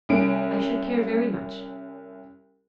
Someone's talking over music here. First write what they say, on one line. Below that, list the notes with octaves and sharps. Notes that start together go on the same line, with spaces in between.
I should care very much.
C2 C#4 D7